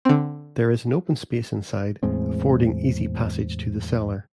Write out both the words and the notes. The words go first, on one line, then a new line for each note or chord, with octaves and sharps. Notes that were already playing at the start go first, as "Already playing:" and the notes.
There is an open space inside affording easy passage to the cellar.
D3 C4
E2 A2 G#3 C4